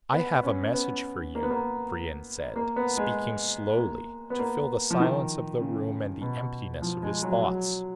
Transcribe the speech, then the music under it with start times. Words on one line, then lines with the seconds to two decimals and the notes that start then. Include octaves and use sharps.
"I have a message for you," Brion said, speaking slowly to fill the silence of the room and the emptiness of his thoughts.
0.13 B3
0.43 C#4
0.73 B3
1.35 A#3
1.43 B3
1.51 A#3
2.56 A#3
2.76 B3
2.97 G#3
3.78 A#3
4.30 B3
4.39 A#3
4.90 F3
5.00 D#3
5.60 C#3
6.22 B2
6.82 F3
7.02 G#3
7.22 F#3
7.42 F#3